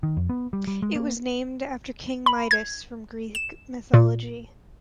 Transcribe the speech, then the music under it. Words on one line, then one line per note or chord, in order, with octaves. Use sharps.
It was named after King Midas from Greek mythology.
D#3
F2
B3
G3
G3
G#3
A#3
B5
G#6
E7
A#2